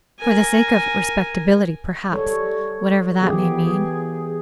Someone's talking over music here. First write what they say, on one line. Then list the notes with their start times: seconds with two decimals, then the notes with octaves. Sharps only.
For the sake of respectability, perhaps, whatever that may mean.
0.19 A#4 G#5
2.12 G3 A4 C#5
3.21 E3 B3 G4 G#4